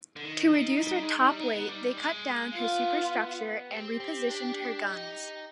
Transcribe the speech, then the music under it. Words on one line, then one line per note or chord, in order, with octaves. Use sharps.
To reduce her top weight, they cut down her superstructure and repositioned her guns.
D3
D#3 D#4
F3
G3
G#3
G3
B3
G3
G#3
B3 F4
C4 G4
C4
D4
D#4